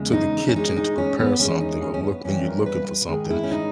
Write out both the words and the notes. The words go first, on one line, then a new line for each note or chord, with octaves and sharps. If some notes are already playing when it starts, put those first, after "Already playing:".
to the kitchen to prepare something or look and you're looking for something,
Already playing: E2 C#3 G#3
D#4
C#4
A#2 G#3 D#4
D#4
C#4
B3
E2 D#3 G#3 C#4
D#4
C#4
C#4
B3
G2 E3 G3 C#4
A#4
B4
B4
G#2 D#3 G#3 G#4
E4
C#4
D#4